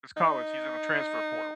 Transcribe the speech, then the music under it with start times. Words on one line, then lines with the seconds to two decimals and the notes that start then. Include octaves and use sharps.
“this college; he's in the transfer portal."
0.17 D#4